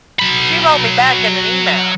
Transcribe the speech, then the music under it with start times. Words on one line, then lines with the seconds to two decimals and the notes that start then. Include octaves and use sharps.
She wrote me back in an email,
0.19 F#3 B5